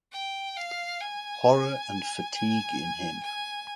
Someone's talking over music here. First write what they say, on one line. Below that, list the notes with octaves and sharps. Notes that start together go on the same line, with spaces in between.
Horror and fatigue in him.
G5
F5
G#5
G#5
G#5